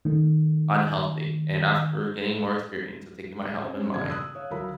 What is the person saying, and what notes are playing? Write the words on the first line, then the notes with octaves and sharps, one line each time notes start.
unhealthy. And after getting more experience of taking my health and mind
D#3 A3
C4 C#4 C5
E1 A#1 G2 C#3 G#6
D#6 E6 F#6
C#5 F5
D2 F#3 F4 A#4 B5